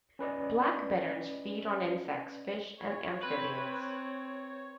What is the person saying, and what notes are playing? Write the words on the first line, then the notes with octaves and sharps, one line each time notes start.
Black bitterns feed on insects, fish, and amphibians.
C#4 B4 D5 D#5
C#5
C4 B4